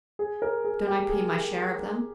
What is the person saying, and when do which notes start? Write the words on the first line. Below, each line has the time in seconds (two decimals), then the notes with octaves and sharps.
"Don't I pay my share of them?"
0.19 G#4
0.42 A#4
0.64 G#4
0.87 G4
1.09 G#4